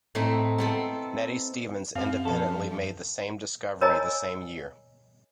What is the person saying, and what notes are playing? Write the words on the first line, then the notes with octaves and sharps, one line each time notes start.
Nettie Stevens independently made the same discovery the same year.
A2 C4 D#4 E4
B3 C4 A4
F#2 C4 G4 F5 F#5
F3 G#4 A4
A#4 C#5 D#5 G#5 A#5